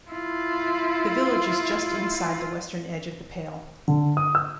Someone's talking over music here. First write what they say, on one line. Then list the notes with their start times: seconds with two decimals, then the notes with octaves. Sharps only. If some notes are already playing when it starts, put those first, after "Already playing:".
The village is just inside the western edge of The Pale.
0.11 E4 F4
3.88 D3
4.17 D#6
4.35 E6